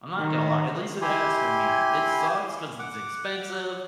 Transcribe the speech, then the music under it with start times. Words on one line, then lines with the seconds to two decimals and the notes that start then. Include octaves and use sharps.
I'm not gonna lie. At least it has for me. It sucks 'cause it's expensive,
0.18 D#3
1.01 E4 G4 G#5 C6
2.79 F#5 D6